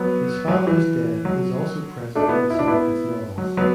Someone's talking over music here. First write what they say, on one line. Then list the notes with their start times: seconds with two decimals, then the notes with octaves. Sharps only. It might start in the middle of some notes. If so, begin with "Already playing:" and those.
His father's death is also present in some of his novels.
Already playing: F#3 B3
0.48 F#3
0.67 E3
1.25 F#3
2.15 A3 D4
2.28 B3 E4
2.50 E4
2.59 D4
2.68 B3 E4
3.38 F#3
3.57 F#3 B3